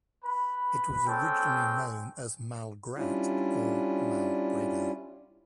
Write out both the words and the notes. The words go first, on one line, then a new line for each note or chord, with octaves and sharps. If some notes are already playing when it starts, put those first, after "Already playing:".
It was originally known as "Malgrat" or "Malgrado".
B4 B5
G#3 C4 C#4 A4 G5
G3 C#4 D4 E4 F4